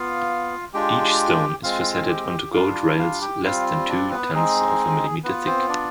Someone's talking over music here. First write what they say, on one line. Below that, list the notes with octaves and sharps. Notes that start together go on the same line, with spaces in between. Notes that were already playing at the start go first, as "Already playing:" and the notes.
Each stone is faceted onto gold rails less than two-tenths of a millimeter thick.
Already playing: B3 F4 F5
G#3 D4 F4 G4 G5
G#3 C4 F4 F5
G4 G5
G3 D4 F4 F5
F4 F5
G4 G5
G3 C4 F4 F5
D4 D5
B3 B4
G#3 C4 D#4 G#4
B3 F4 B4
C4 C5
D4 D5